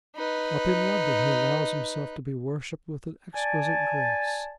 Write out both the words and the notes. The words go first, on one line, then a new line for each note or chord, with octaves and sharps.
Up in London he allows himself to be worshipped with an exquisite grace.
D#4 B4
D5 G#5 A5